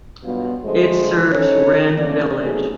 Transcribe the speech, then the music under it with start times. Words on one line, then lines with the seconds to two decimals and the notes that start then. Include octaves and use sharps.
It serves Ren village.
0.24 G2 B2 F#3 B3 F4
0.64 D3 F3 G#3 A3 C5
1.31 C#4 D#4 A4 C#5
1.96 E2 D3 A3 A#3 C#4 D5
2.42 F#3 A3 B3 D#4 G4 G#4